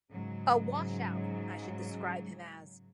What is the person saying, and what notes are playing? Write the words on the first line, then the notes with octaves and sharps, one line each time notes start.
A washout, I should describe him as.
G#2 C#3 F#3